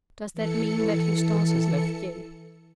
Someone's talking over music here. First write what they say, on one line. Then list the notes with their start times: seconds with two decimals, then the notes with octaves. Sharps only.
"Does that mean that Eustace has left you?"
0.34 E3 A4 C#7